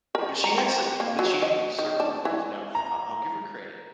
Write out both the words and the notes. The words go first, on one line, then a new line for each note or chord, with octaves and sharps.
But she had so but she had these certain ones. And now I I'll give her credit.
A#4
A#5
C4
G4
A#3
F#3
D#5
D#3
D4
E3
A#5